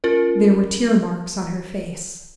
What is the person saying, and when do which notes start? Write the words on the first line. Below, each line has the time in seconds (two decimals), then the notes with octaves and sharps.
There were tear-marks on her face.
0.04 C#4 F4 A#4